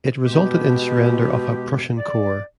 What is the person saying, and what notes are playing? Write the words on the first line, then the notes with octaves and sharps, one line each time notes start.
It resulted in surrender of a Prussian corps.
B2 G#3 G4
D5